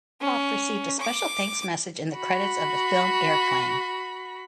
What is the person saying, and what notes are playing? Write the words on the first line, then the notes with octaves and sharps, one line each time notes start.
Proft received a special thanks message in the credits of the film Airplane!
C#4
D6
F#4 B5